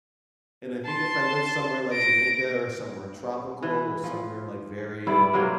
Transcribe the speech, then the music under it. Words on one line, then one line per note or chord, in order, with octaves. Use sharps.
and I think if I live somewhere like Jamaica or somewhere tropical or somewhere, like, very,
A5 C6
A#6 D7
E3
F3
G2 E4 D5
C3 F#3 A#3 C5